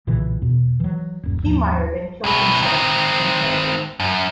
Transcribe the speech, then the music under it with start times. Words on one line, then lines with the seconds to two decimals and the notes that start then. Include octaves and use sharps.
Heemeyer then killed himself with a handgun.
0.07 B1 A#2 C#3 E3
0.42 E2 B2
0.80 E3 F#3
1.23 D#1 F#2
1.43 D#2 G#2 F3
2.24 C2 B2
2.62 D#3 C4
4.00 F#2